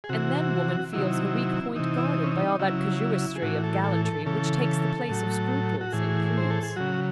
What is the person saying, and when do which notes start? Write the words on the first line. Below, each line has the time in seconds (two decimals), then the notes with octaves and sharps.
And then woman feels her weak point guarded by all that casuistry of gallantry which takes the place of scruples in prudes.
0.04 G#4
0.09 C3 E3 F#4
0.93 C3 D#3 F#3 E4
1.76 C3 E3 D#4
1.98 E4
2.04 D#4
2.23 C#4
2.32 D#4
2.59 C#3 F#3 E4
3.36 G#4
3.42 A2 E3 F#4
3.64 A4
3.84 A4
4.05 A4
4.26 C#3 E3 A4
5.09 A2 F#3
5.81 F#4
5.93 A2 E3 G#4
6.37 C5
6.51 A4
6.63 G#4
6.76 C#3 F#3 F#4